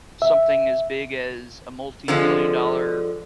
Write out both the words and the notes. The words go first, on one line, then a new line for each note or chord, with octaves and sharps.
something as big as a multimillion dollar
E5
D3 F3 G#3